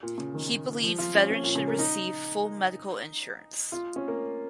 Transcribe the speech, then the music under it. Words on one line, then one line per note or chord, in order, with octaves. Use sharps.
He believes veterans should receive full medical insurance.
A#2
C#3
D#3
F3
F4
C#4
C#4
A#2
C#3
A#3
D#4
F4
C#4
A#3